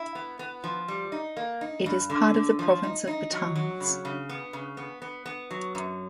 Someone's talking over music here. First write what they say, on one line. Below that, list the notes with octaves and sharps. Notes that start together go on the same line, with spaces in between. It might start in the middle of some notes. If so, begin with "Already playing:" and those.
It is part of the province of Batanes.
Already playing: E4
B3
B3
F3
G3
D#4
A#3
D#4
G2
D3
D3
F3
D#4
D#4
F#3
F#3
C#3
C#3
B3
C#3
B3
B3
B3
F#3
F#2